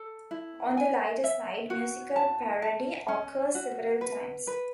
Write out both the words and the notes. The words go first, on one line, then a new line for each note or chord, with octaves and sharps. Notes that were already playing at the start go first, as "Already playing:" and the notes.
On the lighter side, musical parody occurs several times.
Already playing: A4
E4
G#5
E5
F#4
A5
A5
C#4
F#4
B4
B4